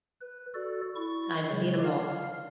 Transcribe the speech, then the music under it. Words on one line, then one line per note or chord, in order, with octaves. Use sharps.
I've seen 'em all
B4
F#4 A4 D5
E4 C#6
C#3 F#3 G#3
F5 F6